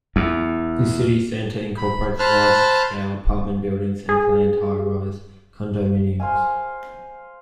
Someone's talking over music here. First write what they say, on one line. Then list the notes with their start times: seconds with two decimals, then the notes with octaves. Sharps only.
This city center incorporates large-scale apartment buildings and planned high rise condominiums.
0.16 E2
1.77 B5
2.19 C5 A5 B5 F6 F#6
4.09 G#4
6.20 C5 F5 G#5